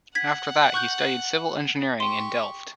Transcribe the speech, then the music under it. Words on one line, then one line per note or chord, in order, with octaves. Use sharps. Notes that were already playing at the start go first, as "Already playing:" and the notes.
After that he studied civil engineering in Delft.
F#5 G#6 B6
C#6 F#6 G6
G4 C6 C#6